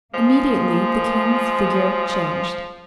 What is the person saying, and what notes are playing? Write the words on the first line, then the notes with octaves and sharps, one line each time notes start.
Immediately the king's figure changed.
F3 G#3 A#3